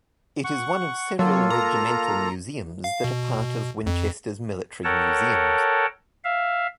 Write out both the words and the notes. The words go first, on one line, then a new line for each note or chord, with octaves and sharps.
It is one of several regimental museums that are part of Winchester's Military Museums.
F#5 C#6
F#3 A#3 F4 A4
A#5
F5
B2
F2
A4 A#4 C#5 F#5 G5 A5
E5 F5